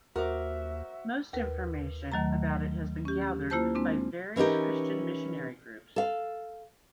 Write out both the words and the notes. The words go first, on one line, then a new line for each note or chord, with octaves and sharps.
Most information about it has been gathered by various Christian missionary groups...
D#2 F#4 A#4 C5 E5 D6
D#2 A#4 B4
D#2 D#3 F#3 A3 A#5
C#4 G4
A#3 E4 F4 C5 A5 G6
G#3 C4 D4
E3 C#4 D#4 G4 A#4
A4 F5